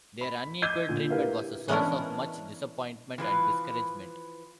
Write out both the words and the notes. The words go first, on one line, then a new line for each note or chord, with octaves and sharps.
Their unequal treatment was a source of much disappointment and discouragement.
B5
D#5 D6 E6 G6 G#6 D#7
A#2 D3
E4 G4 A#4 B4 F5
E3 G#3 B3 C#4 D4 A#4
E3 F3 B4